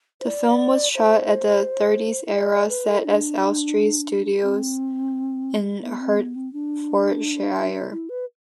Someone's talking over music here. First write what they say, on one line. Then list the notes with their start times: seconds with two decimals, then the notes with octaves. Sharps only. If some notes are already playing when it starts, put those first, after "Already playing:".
The film was shot at the "thirties era" sets at Elstree Studios in Hertfordshire.
0.21 C5
0.25 D5
0.95 C5
2.35 D5
2.52 D5
2.69 B4
2.86 A4
3.04 D4
4.43 C4
5.83 B3
6.00 C4
6.17 B3
6.36 C4
6.53 D4
7.92 E4
8.09 B4